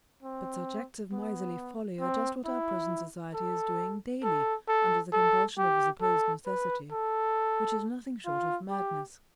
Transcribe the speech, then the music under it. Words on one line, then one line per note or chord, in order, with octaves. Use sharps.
But such acts of miserly folly are just what our present society is doing daily under the compulsion of a supposed necessity, which is nothing short of madness.
C4
B3
C4
E4
A4
A4
A4
A4
G4
A4
B4
A4
F4
G4